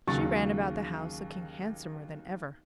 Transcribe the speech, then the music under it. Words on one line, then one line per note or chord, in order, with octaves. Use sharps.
She ran about the house looking handsomer than ever.
D#2 C#3 F#3 C#6 A6